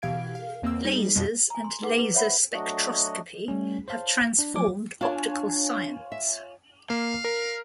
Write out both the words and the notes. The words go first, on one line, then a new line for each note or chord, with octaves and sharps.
Lasers and laser spectroscopy have transformed optical science.
B2 E3 G4 F5 G#6 D7
F5
E2 A#3 C4 E6
G3 D#4 G#4
F2 B2 G3 G#3
G#5 A#5
C6
D#4 G#4 B4 F#5 D6
B4
C5 C#5 E5 F#5 B5
F#3 A3 D4 F#4 D#5
G3 A3 C#4
C5 C#5 F5 A5
D4
F3 F#3 A3 C#5 D6
D4 F4 C#5 G#5 A5
E5
A#3 F5
A#4